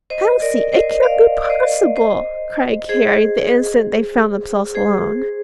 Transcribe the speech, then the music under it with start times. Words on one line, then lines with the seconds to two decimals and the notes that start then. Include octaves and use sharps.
"Elsie, it can't be possible!" cried Carrie, the instant they found themselves alone.
0.10 C5 D#5
0.41 A#4 D5
0.73 C5 D#5
1.03 D5 F5
1.43 D5
1.50 C5 D#5
1.96 C5 D#5
2.89 G#4 C5
4.75 G#4 C5